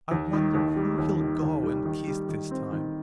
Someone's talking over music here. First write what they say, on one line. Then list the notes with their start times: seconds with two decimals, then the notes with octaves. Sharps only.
I wonder who he'll go and kiss this time.
0.11 D#2
0.33 D#3
0.55 D#2
0.76 G3
0.98 D#2
1.20 D#3
1.42 D#2
1.63 G3
1.85 D#3
2.07 G3
2.29 D#3
2.51 C4
2.72 D#3